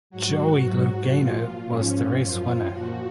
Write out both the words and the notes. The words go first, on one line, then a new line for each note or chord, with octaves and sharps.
Joey Logano was the race winner.
G#2 F#3 F#4
G#2 F#3
A#2 F3 F4
G#2 F3 C#4
F#2 F3 F4
A#2 F3 F#4